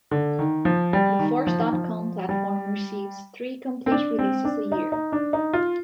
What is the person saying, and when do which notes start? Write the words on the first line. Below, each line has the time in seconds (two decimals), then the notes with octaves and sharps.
The Force dot com platform receives three complete releases a year.
0.11 D3
0.39 D#3
0.65 F3
0.93 G3
1.19 D#3
1.47 F3
1.59 D#3
1.73 F3
2.29 G3
3.86 C4
3.91 D4
4.19 C4
4.45 D4
4.72 D#4
4.92 D#4
5.12 D4
5.33 D#4
5.53 F4